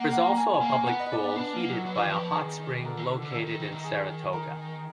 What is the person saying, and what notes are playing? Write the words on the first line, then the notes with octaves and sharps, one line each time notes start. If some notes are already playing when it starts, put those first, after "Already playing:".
There is also a public pool heated by a hot spring located in Saratoga.
Already playing: A#3 F#5
F#5
A#5
G#5
G#5
A#3
G#5
B3 F#5
D#5
D5
D5
D4 B4
A#3
F#3
F#3 B4
F3 D5
D#3
F3 B4
D#3 G#4
D3 A#4
D#3
D3
D3
D#3
D#3
D#3
D#3
G#4
A#4